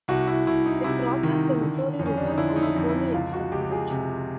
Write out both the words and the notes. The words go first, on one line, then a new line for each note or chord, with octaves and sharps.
It crosses the Missouri River on the Pony Express Bridge.
C2 F#4
E4
C2 E4
D#4
C3 E4
D#3
D3
F2
C#4
D4
D#4
D3 E4
D#4
E4
F2
E4
C#2 F4
F#4
C#2 G4
G#4
C3